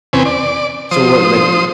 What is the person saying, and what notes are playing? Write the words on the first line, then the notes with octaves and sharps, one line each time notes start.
So what, like, did they
E2 C3 C4 C#4 B4 G#5
D5
F3 C5 D#6